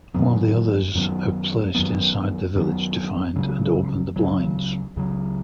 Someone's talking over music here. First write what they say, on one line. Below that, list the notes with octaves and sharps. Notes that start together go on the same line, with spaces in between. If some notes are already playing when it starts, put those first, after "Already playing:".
While the others are placed inside the village to find and open the blinds.
F#2 D#3 F#3 B3
F#2 D#3 F#3 B3
F#2 D#3 F#3 B3
F#2 D#3 F#3 B3
C#2 C#3 F#3
C#2 C#3 F#3
C#2 C#3 F#3